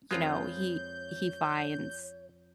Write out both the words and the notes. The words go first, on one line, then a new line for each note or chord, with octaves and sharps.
you know, he he finds
F2 F3 G#3 F4 B4 C#5 G6